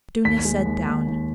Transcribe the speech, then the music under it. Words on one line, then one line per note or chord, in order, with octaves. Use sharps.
Dounia sat down.
D#2 B6
G#3
D#2
D#2
D#2